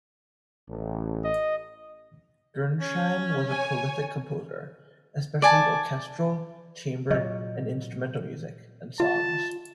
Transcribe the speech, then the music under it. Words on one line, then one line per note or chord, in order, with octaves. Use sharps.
Gernsheim was a prolific composer, especially of orchestral, chamber and instrumental music, and songs.
A1
D#5
C#4
C#5 G#5
D5 G#5 A5
A#2 F#3 C#5 D#5
F4 A5